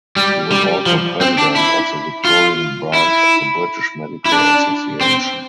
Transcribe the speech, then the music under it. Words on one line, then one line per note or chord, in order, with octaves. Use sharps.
He was also president of the Victorian branch of the British Medical Association.
G3
G3
F3
C4
D4
E4
F4
E4
E4
D4
C4